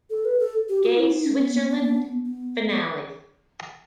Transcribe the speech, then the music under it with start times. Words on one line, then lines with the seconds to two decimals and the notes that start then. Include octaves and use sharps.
Gay Switzerland Finale.
0.10 A4
0.25 B4
0.39 A4
0.69 G4
0.83 F#4
0.97 E4
1.11 D#4
1.25 C#4
1.40 B3
1.54 A#3
1.69 B3
1.83 A#3
1.97 B3
2.25 B3